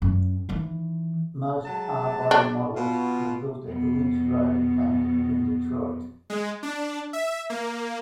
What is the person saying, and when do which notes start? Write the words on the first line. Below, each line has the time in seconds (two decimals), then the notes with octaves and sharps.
Most R-body models were built at the Lynch Road Plant in Detroit.
0.02 F#2
0.49 D#3 E3
1.66 F#3 G#3 A5
2.31 D4
2.75 B2 F4
3.65 F2 B2
6.30 G#3
6.63 D4
7.13 E5
7.50 A#3